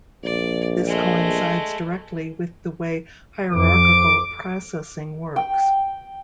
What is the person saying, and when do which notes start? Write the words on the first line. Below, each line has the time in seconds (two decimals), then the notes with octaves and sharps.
This coincides directly with the way hierarchical processing works.
0.24 A#1 D5
0.87 G#3 A3
3.52 F2 D6
5.36 G5